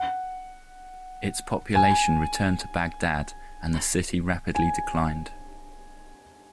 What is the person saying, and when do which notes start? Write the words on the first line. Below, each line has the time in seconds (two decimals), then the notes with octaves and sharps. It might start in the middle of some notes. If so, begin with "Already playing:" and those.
Its population returned to Baghdad and the city rapidly declined.
Already playing: F#5
1.75 G#5
4.55 G#5